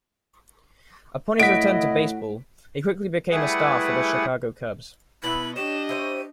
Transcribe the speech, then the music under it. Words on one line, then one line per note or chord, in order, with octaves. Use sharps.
Upon his return to baseball he quickly became a star for the Chicago Cubs.
A2 E4 F#4 D#5 B6 D7
G3 A3 E4 G#4 B4 F#5
B2 B3 E4 B4 F#7
D4 G4 C#5 D#5 E7
E4 C5 C#5 D#7